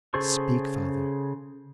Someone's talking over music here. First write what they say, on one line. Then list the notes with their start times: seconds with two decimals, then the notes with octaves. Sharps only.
Speak, Father.
0.14 C#3 G#4 A4 C5 C#6